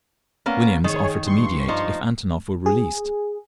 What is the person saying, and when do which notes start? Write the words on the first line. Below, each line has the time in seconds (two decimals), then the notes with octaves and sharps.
Williams offered to mediate if Antonov were released.
0.46 A#3 B3 C#4
0.84 D#3 G#4 C#5
1.25 G2 C6 C#6
1.68 F3 D#4
2.66 G#4